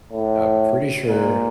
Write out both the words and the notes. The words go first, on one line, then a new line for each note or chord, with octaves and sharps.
I'm pretty sure
A2
A#2